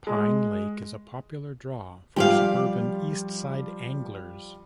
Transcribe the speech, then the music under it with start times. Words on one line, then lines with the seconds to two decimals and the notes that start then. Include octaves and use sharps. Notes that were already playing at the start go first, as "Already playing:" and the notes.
Pine Lake is a popular draw for suburban eastside anglers.
0.07 G#3
2.16 F3 G3 F4 G4 D5 F5